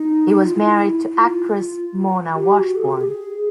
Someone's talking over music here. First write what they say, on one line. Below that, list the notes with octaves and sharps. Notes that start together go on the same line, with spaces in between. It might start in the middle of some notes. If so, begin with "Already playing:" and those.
He was married to actress Mona Washbourne.
Already playing: D#4
F4
E4
F4
G4
F#4
A4
G#4
G4
G#4